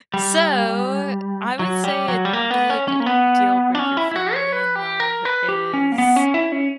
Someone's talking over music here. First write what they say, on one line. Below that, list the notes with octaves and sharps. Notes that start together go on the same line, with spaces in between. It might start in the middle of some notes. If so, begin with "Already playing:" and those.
So, I would say a big deal breaker for me in love is
G3
F#3
G3
F#3
G3
A#3
B3
C#4
C#4
A#3
B3
D4
C#4
E4
E4
F#4
C#5
B4
G4
A#4
B4
G4
C#4
A#3
B3
C#4
E4
C#4